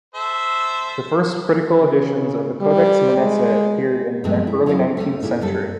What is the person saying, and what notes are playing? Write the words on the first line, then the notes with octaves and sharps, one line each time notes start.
The first critical editions of the "Codex Manesse" appeared in the early nineteenth century.
A4 C5 E5
C#3
G3
G#3
G2 F3 F#3 G#3 A3 C4
E4
C#3 F#3 C4 E4 F5
A3 C#4
A#2 E4 G#4
F#2 G3 A4